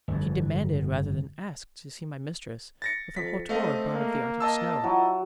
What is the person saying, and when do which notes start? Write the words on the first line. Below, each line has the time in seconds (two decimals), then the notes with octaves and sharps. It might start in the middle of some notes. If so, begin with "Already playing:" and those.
She demanded rather than asked to see my mistress, with a hauteur born of the arctic snow.
0.08 G1 F2
2.82 A6 A#6 C#7
3.16 F2 B6
3.49 A3 C4 D#5 F5
3.94 A#3
4.40 D#5 A5 E6
4.84 F#3 E4